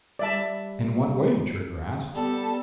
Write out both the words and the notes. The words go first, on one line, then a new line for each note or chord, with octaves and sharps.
"In what way?" Trigger asked.
G3 D5 E5 A5
G3 B3 A4